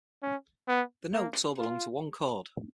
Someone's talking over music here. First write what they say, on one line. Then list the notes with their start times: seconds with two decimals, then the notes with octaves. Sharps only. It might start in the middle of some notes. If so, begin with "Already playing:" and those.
The notes all belong to one chord.
0.22 C#4
0.68 B3
1.14 A#3
1.59 F4